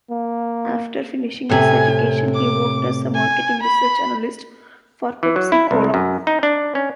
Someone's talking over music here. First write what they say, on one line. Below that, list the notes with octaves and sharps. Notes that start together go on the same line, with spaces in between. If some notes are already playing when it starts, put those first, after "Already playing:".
After finishing his education, he worked as a marketing research analyst for Pepsi Cola.
A#3
A2 C3 G#5
D6
G#5
B5
E3
F#3
E4
C2
F#2
D#4
D4
C#4